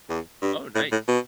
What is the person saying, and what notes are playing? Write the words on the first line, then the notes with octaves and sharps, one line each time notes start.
Oh, nice.
E2
G2
A2
A2
B2